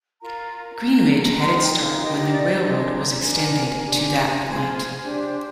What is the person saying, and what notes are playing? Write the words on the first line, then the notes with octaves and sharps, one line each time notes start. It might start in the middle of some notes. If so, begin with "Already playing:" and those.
Greenridge had its start when the railroad was extended to that point.
F4 A#4 A#5
F4 A#4
D6
D#4 A#4 C6
G5
F5
D#4 G4 A#4 D#5
D#5
D5
D4 G#4 C5 D#5
A#5
D4 F4 A#4 G#5
D4 G4 C5
F4 G#4 C5
D4 G4 C5